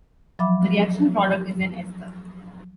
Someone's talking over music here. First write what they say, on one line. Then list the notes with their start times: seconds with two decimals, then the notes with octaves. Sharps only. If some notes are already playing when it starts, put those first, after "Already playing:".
The reaction product is an ester.
0.39 F3 F#3 E5 F5 B5 D6